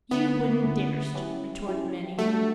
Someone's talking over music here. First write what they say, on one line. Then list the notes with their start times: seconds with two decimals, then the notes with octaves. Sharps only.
"You wouldn't darst," retorted Minnie.
0.11 D3 A3 B3 C#4 E4
0.63 D3 A3 C#4 E4
1.14 F#3 C#4 E4 G4
1.67 F#3 C#4 E4 G4
2.18 G3 A3 D4 F#4